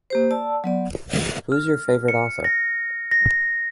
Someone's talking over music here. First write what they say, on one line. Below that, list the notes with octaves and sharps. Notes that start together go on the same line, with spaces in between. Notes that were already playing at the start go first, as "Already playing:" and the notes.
Who's your favourite author?
A#3 G4 C5
D5 A5 E6
F#3 B3 D5
F6
C#7
A#6
A#6